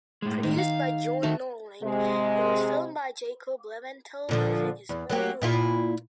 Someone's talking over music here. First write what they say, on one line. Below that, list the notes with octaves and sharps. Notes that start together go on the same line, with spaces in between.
Produced by John Norling, it was filmed by Jacob Leventhal using his own rig.
A2 G#3
D#3
F5
D#3 A3 D#4 F#4
C3 G#3
A#2 D3 F3
E2
F#3 A#3 G4
A#2 E4 F4